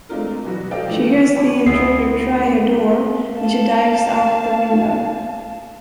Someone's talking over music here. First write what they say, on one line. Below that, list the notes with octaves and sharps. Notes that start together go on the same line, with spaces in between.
She hears the intruder try her door, and she dives out the window.
G#3 A3 C4 D4 F4 A#4
B2 E3 F#3 G3 F#4
A4 C5 D5 D#5 F5 G5
E3 F3 A3 D4
D3
G5 A5 B5 C#6 D6 G#6
D2 G#3 B3 E4 G4 C7
F5 A5